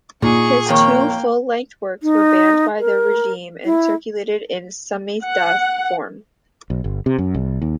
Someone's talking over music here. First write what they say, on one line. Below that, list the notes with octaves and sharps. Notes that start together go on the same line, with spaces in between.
His two full-length works were banned by the regime and circulated in "samizdat" form.
A#2 D#4 G#4 C#6
F2 D#3 A#3 C#5 G5
D#4
A#4
E4
F#5
B1
G1
C3
F#2
C2
D#2